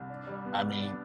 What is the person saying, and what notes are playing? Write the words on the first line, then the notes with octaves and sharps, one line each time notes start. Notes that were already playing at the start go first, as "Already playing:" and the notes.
I mean,
Already playing: C2
D4
G3
B3
G3
D4